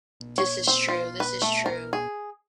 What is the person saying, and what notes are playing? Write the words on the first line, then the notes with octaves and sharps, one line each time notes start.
This is true, this is true.
C#5
C4
F4
B4
A3
A#4
G#4